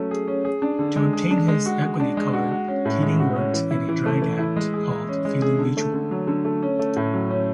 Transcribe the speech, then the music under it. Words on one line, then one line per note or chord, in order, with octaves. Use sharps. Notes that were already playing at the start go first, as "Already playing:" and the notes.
To obtain his Equity card, Keating worked in a drag act called Feeling Mutual.
Already playing: F#3 A3 C#4
G#4
C#4
G#4
D4
D3
G#3
G#4
D4
G#3
F#4
G#3
D4
G#3
F#4
F#4
C#4
A2
G#3
F#4
C#4
E3
E4
E3
A3
E3
E4
G#3
G#4
G#3
C#4
G#3
G#4
D3
A3
D3
F#3
D3
A3
C#4
A3
A2
F#3
C#4